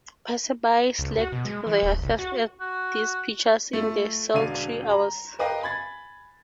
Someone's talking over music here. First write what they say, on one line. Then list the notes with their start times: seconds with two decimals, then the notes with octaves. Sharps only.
Passersby slaked their thirst at these pitchers in the sultry hours.
0.99 C#2
1.18 F#4
1.32 B2
1.45 G#3
1.67 E3
1.83 D1
2.02 C2
2.19 F#4
2.60 F#4
3.73 A3 F4
4.34 E1 D3 D5 F5 D#7
4.89 A#5
5.39 A#4 B4 D#5 F5 G5
5.62 G#5 B5 G#6 A6